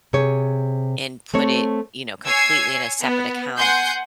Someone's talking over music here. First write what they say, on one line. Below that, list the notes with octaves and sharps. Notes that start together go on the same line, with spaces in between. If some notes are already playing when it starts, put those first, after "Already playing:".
and put it, you know, completely in a separate account
C3 G#4 C#5
A3 C4 C#5
C#5 G#5 E6 G#6 C7
B3
F#5 G#5 C6 G6